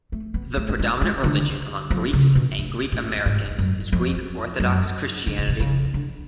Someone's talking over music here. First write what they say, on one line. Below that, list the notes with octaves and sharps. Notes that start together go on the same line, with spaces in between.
The predominant religion among Greeks and Greek Americans is Greek Orthodox Christianity.
A3
B3
A3
G#3
G#3
D3
F3
C#3
B2
A2
A2
G#2
F#2
F2
F#2
D3
C#3
B2
C#3
D3